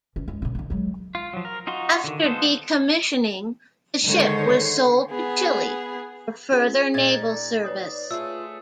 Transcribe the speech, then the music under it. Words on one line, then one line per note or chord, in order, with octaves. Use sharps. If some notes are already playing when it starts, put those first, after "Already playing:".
After decommissioning, the ship was sold to Chile for further naval service.
E3 C#4
F#1 G#3
A2 C#3
D3 A3
F#3 G#3
F4
F3 F#3
A#4
D#4 F4 F#4 C6
D3 D#3
G#3 B3 F4 A4 C5
D3 D#3 G#3 C5 C#5
B3 G#4
C#4 F4 G#4
A#2 D#4 G#6 A6
D5
B4 C#5 D#6
A3 F4 G#4 E6